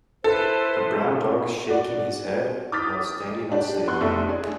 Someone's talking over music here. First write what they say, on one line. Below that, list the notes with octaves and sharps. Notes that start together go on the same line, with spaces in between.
A brown dog is shaking his head while standing on sand.
E4 A4 B4 C5
F#4 D5
D6 D#6 F6 G6 A6 B6
D4 G4
B3 C6 C#6 F#6
F1 A3 A4 E5
D4 G#4